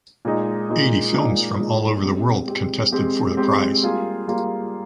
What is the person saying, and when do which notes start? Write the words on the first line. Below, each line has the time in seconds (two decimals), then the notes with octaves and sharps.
Eighty films from all over the world contested for the prize.
0.25 A#2 G#3 D#4
0.69 A#2 G#3 D#4
1.14 A#2 G#3 D#4
1.58 A#2 G#3 D#4
2.03 G#3 C4 G4
2.48 G#3 C4 G4
2.92 G#3 C4 G4
3.37 G#3 C4 G4
3.83 G3 A#3 F4 G#4
4.27 G3 A#3 F4 G#4